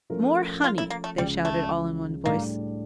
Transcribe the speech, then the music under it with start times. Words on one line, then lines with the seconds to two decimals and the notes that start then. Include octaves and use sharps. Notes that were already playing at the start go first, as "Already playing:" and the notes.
"More honey!" they shouted, all in one voice.
0.10 F3 A3 C#4 F4 A#4
0.64 F4
0.78 E4
0.90 A#3
1.04 A3
1.17 C#2 C#3 F3 G3
1.45 A3
2.25 A2 G3 A#3 D4